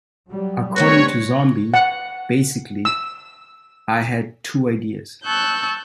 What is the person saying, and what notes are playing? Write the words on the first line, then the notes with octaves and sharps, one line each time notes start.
According to Zombie, Basically, I had two ideas.
F#3 G3
E2 G3 A3 C4 F#4 B4 C#5
F#5
E6
A5 C#6 E6 F#6 G6